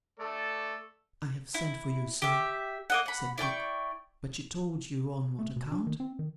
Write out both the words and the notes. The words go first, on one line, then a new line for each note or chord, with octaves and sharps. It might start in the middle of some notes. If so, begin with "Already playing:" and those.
'I have sent for you, Sir,' said Dick--'but she told you on what account?'
A3 A4 D5
E4
G4 E5
A#3 D#5 F#5
F#5 B5
E4 D5 G5 C#6
A3
B2
D4
D#3
C4
D#3